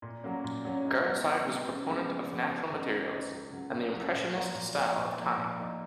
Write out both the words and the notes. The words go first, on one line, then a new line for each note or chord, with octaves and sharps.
Gartside was a proponent of natural materials and the impressionist style of tying.
A#2
F#3 A#3 C#4
A#2
F#3 A#3 C#4
G#2
F#3 B3 D#4
G#2
F#3 B3 D#4
C#3
F3 G#3 B3
C#3
F3 G#3 B3
C#2
C#3 G#3 D#4 A#4
C#2
C#3 G#3 D#4 A#4
C#2
C#3 F#3
C#2
C#3 F#3
A#2
F3 A#3 F4 A#4
A#2
F3 A#3 F4 A#4
A#2
F3 A#3 D#4
A#2
F3 A#3 D#4